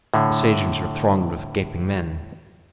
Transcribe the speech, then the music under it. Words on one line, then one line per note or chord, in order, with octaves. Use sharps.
The stagings were thronged with gaping men.
A2 D3